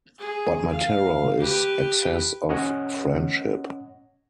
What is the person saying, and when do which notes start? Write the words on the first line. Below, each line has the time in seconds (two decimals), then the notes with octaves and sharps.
But my terror is excess of friendship.
0.19 G#4
0.70 F5
1.39 G4 B4
2.49 C#4 C#5 D#5 F#5